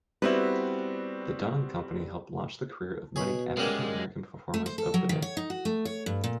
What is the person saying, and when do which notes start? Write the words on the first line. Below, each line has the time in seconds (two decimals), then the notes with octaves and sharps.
The Dunham Company helped launch the career of many African-American performers of the day.
0.22 G3 B3 C4 E4 F#4 B4
3.16 B2 G#4 C#5 B5
3.57 F#2 G3 G#3 A#3
4.54 A3
4.66 C5
4.78 A4
4.94 F#3
5.09 D#3
5.22 C#5
5.37 D#4
5.50 F#4
5.65 A3
5.85 C#5
6.06 G2
6.24 A#2